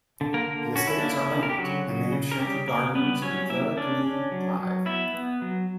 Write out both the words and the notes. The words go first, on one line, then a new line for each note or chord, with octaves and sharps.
The estates are linked, and named Chantry Gardens and Fleur De Lys Drive.
D3
A#3 A#4
D3
C#4 F#4
E4
A#3 D4
E4
D3
A#4
G4
C#3 F#3 F#4
C#3
C#3
A#4
C#3 G3 G4
C#3 A#3 A#4
G3 B3 B4
F#3 C#4 C#5
A#3 E4 E5
C#4 D4 D5
C#4
F#3
F#3
B3 E4 E5
B3
F#3